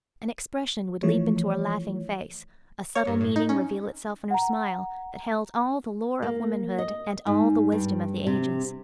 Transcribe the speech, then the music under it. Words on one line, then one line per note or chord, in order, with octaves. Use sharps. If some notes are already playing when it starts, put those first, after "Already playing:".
An expression would leap into her laughing face, a subtle meaning reveal itself in her smile, that held all the lore of womanhood and all the wisdom of the ages.
E3 F3 A3 C#5
C#5
G2
A2
D#4
C#4
F#5 A#5
A#3
D#5
G#2
G2
C3